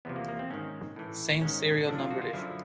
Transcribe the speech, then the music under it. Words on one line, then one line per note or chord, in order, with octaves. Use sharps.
Same-serial numbered issue.
E2 C3 F3 B3
A#3
A#3
C4
G#2 D#3 C#4
A2 E3
G#2 D#3 C#4
F#2 D3 F3 D4
F4
F#4
F4
F#2 D3 F3 E4